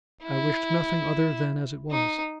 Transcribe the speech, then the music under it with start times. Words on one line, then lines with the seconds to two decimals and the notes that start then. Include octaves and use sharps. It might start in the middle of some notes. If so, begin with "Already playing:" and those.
I wished nothing other than as it was.
0.24 E4
1.91 D#4